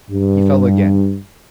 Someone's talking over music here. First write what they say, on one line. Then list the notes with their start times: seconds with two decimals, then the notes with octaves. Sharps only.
He fell again.
0.11 G2